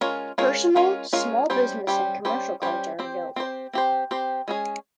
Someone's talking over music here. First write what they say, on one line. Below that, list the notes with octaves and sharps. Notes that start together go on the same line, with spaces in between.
Personal, small business and commercial cards are available.
G#3 C#4 F4 A#4 C#5
G#3 C#4 F4 A#4 C#5
G#3 C#4 F4 A#4 C#5
G#3 C#4 F4 A#4 C#5
G3 C#4 G4 C5
G3 C#4 G4 C5
G3 C#4 G4 C5
G3 C#4 G4 C5
C4 G4 C5
C4 G4 C5
C4 G4 C5
C4 G4 C5
G#3 C#4 G#4 C#5